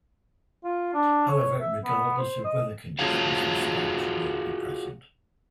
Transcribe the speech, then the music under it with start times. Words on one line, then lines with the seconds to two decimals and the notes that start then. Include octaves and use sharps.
However, regardless of weather conditions, the staff will be present.
0.64 F4
0.94 D4
1.28 C#5
1.60 E5
1.84 B3
2.18 C5
2.44 D#5
2.99 F4 F#4 G#4 C#5 F5